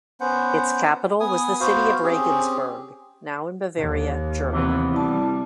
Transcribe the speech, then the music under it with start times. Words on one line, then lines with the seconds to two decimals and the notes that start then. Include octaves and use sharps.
Its capital was the city of Regensburg, now in Bavaria, Germany.
0.20 B3 C#4 C5 F#5
1.20 B3 G#5 D#6
1.60 B3 F#4 C5 F5
2.03 C4 C#4 G4 G#4
3.78 D#2
4.53 C3 E3 B3
4.93 G3 E4 A5